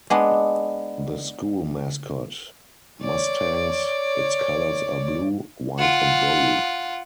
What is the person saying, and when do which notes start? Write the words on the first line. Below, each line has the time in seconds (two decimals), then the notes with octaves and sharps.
The school mascot: Mustangs; its colors are blue, white and gold.
0.10 G#3 B3 D4
3.02 C#5 D5
5.79 F4 F#5